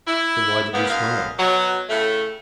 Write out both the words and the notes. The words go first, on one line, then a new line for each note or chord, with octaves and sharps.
"Then why did you smile?"
E4
F#2 C#3 A#3 B3
F#2 D#5 F5
B2 F#3
A2 C#3 A3